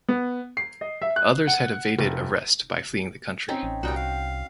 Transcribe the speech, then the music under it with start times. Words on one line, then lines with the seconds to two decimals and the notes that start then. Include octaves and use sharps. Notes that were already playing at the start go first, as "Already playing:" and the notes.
Others had evaded arrest by fleeing the country.
0.08 B3
0.57 C7
0.81 D#5
1.02 E5
1.16 F#6
1.47 F#5
1.99 F1
3.48 C4 C#4 D#4
3.63 A1
3.83 C2 A#2 G3 D#4 F#4 G5
3.96 F5